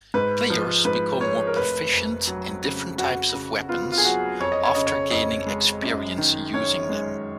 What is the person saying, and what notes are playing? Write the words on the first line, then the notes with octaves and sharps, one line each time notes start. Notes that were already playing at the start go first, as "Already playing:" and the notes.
Players become more proficient in different types of weapons after gaining experience using them.
G#2 B4
F3
G#2 B4
G#3 C#5
A#4
F1 B4
F2
F#3
C#3
F2 F#4
C#3
B3 F4
F4
G#4
F#3 F#4
F2 C#5
D#5
C#5
C#3 D#5
C#5
F2 D#5
G#3
F#2
D#3
C#4 C#5
G#3